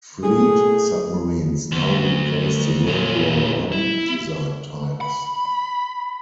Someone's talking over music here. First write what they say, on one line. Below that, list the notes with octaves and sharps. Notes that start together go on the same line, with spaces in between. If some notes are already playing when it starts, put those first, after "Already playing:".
Fleet submarines now replaced the World War One-designed types.
A2 G#4
D2
A#2 C#4
E4
B5